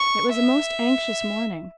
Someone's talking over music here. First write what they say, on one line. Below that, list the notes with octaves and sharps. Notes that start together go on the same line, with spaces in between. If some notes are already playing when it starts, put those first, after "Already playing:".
It was a most anxious morning.
Already playing: C#6
E5